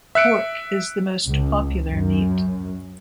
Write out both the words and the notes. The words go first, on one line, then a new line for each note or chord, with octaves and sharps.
Pork is the most popular meat.
E5 F#6 C#7 D7
C#2
F#2